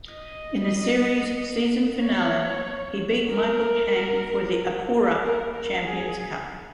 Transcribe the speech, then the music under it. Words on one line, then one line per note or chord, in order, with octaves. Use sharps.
In the series season finale, he beat Michael Chang for the Acura Champions Cup.
D#5
C#5
A#4
A#4
A#4
G#4